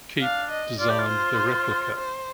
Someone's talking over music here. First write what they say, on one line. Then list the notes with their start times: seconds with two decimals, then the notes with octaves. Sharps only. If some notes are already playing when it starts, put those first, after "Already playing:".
Keep designed the replica.
0.21 D4 F5
0.51 D#5
0.80 F4 D5
0.89 G4
0.99 F4
1.09 C5
1.97 C5